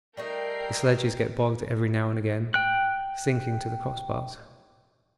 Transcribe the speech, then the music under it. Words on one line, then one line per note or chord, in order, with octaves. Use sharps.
The sledges get bogged every now and again, sinking to the crossbars.
G3 A3 D#4 A#4 G5 C7
G5 F#6